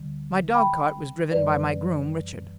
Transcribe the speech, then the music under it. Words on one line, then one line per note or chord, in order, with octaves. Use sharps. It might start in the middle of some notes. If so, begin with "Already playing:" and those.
My dogcart was driven by my groom, Richard.
Already playing: D2 D3 G3
G5 B5
F#2 E3 G3 B4 D5